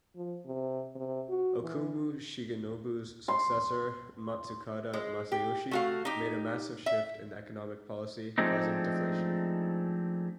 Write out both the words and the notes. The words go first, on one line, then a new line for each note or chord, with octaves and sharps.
Okuma Shigenobu's successor, Matsukata Masayoshi, made a massive shift in economic policy, causing deflation.
F3
C3
C3
F#4
E3
C6
G#3
G4
A3 F#4 F5
D#4 G4
E5
F3 G#3 A3 C4 D4 D#4